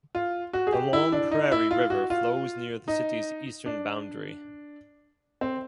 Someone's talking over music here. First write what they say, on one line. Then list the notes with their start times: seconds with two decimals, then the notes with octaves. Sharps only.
The Long Prairie River flows near the city's eastern boundary.
0.15 F4
0.53 F#4
0.67 G#4
0.73 G4
0.93 E4
1.12 D4
1.31 D#4
1.52 E4
1.71 F4
1.90 F#4
2.10 F4
2.88 D#4
3.66 D4
5.41 C4